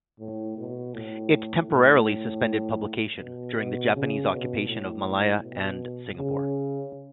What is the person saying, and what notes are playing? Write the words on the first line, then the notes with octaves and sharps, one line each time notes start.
It temporarily suspended publication during the Japanese occupation of Malaya and Singapore.
A2
B2
A2
A2
B2
B2
C#3
B2
A2
B2
C#3